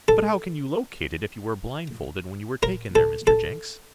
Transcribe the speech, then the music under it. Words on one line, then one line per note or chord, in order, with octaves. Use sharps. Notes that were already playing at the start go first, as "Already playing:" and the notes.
"But how can you locate it, if you were blindfolded when you were taken there, Mr. Jenks?"
A4
A#4
A4
A4